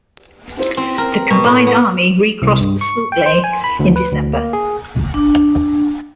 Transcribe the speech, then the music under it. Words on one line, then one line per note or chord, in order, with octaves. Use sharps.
The combined army recrossed the Sutlej in December.
C4
A#4
B2
A2
B3
C2
G2
C#6
G5
C5
G#5
B5
D2
B4
D2
A#3
G#4
D4